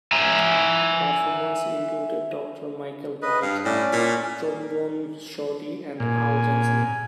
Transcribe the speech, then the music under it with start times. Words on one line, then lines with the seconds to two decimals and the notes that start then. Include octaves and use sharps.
Performers included Doctor Michael White, Trombone Shorty and Al Johnson.
0.12 E5 G#5 A#5
3.22 B4 D#5
3.42 G2 F5
3.65 A2 C#4 D5
3.93 A#2
6.00 A#2 G#5